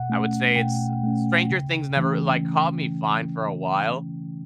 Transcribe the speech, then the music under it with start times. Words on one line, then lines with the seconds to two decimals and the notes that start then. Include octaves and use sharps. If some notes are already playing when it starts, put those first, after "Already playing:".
I would say it's Stranger Things never like, caught me fine for a while.
Already playing: B2 F#5
0.10 A3 C#4
0.56 B2 G5
1.03 A3 C#4
1.51 C#3
1.97 E3 A3 C#4